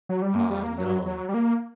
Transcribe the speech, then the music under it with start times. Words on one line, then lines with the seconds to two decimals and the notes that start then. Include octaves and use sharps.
Ah, no.
0.09 F#3
0.22 G3
0.36 A#3
0.50 G3
0.63 A#3
0.78 F#3
1.06 F#3
1.29 G3
1.34 A#3